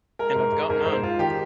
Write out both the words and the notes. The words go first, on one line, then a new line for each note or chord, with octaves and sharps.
And I’ve got none.
G#3 A#4
G#2
G#2
G#2 A#4
G#2 C5
G#2 F4
D#3 G4